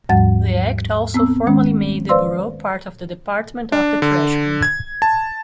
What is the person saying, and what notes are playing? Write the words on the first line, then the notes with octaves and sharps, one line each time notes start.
The act also formally made the bureau part of the Department of the Treasury.
D#2 G#2 F3 G3 F#5 A6
B3 C4 E6
D#3 G#3 C#4
B4 C5 D5 F5 C6 E6
D4
D3
G#6
A5